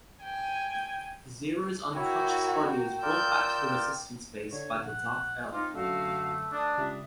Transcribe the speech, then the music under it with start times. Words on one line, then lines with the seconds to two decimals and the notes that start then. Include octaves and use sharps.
Zero's unconscious body is brought back to the Resistance Base by the Dark Elf.
0.24 G5 G#5
1.96 E4 F#4 A#4 C#5 G5
3.02 F4 A#4 D5 E6 G6
4.52 D3 C#5
4.83 A#1 F#5
5.52 C4 D#4 F4 D6
5.74 F#2 D3 A3 F#4 F5
6.52 D4 D#6
6.78 C#2 G3 E5 D#6